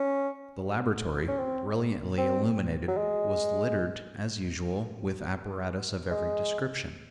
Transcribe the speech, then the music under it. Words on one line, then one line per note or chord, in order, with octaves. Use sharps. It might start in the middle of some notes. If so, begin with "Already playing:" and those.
The laboratory, brilliantly illuminated, was littered, as usual, with apparatus of every description.
Already playing: C#4
C#4
C4
C4
F#3
G#3
G#3